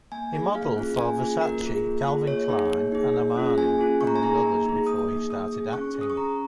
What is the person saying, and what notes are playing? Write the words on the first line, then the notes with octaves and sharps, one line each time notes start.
He modeled for Versace, Calvin Klein, and Armani, among others before he started acting.
A#3 G#5
D#4 G#4
A#3 F5
C#4 F4 G#4
A#3 G#5
C#4 F4 G#4
A#3 A#4
F4 G#4
A#3
F4 G#4
A#3 C#5
D#4 G#4
A#3
D#4 G#4
A#3
C#4 F4 G#4
A#3 G#5
C#4 F4 G#4
A#3 C#6
A#5
G#5
D#4 G#4 A#5
A#3
D#4 G#4
A#3 D#6
D#4 G#4
A#3 D#6
D#4 G#4
C#4 C#6
G#4
D#6
C#6
C#4 A#5